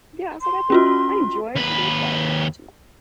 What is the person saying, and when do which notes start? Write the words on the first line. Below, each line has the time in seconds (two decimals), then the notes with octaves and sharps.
yeah, I was like, I think I enjoyed it, but not too much.
0.41 C6
0.70 C#4 F4 F#4
1.55 D#2 B4